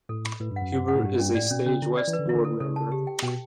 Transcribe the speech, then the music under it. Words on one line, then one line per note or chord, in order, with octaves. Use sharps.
Huber is a Stage West board member.
A2 A4
B5
A2 B4
G2
F#5
F#2
F#5
F#5
A2
G2 G4
G2 C#4
A2 D5
B2 C#4
C#3 C#4
D3 E4
D5
E3
B4
D3
E3
D3 E4
A4
C#3 A4
A5
G4
G5
B2 G5